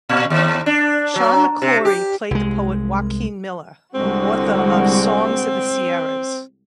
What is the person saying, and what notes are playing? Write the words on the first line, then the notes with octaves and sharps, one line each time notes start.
Sean McClory played the poet Joaquin Miller, author of "Songs of the Sierras".
A#2
D#2
D4
F#3
C3
G4
C2 G#3
C2 D3 G#3 C4 F#4